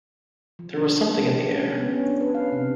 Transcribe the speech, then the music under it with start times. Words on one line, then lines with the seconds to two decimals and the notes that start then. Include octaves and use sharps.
There was something in the air.
0.59 F3
0.77 D4
0.93 D4
1.28 G4
1.51 C#4
1.77 B3
1.89 C#4
2.05 D4
2.21 B4
2.35 F5
2.52 C3